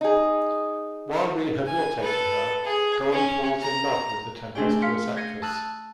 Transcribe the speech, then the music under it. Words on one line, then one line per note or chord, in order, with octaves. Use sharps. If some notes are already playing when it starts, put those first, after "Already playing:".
While rehabilitating her, Don falls in love with the tempestuous actress.
D#4 G#4
G#5
A4 B4
G#4
C#4
A#5
A3 C4 D4 G#4 D5 G5
F5 C6 B6 C#7
G6 G#6 A#6 C7 C#7 D#7
A5 D#6 E6 F#6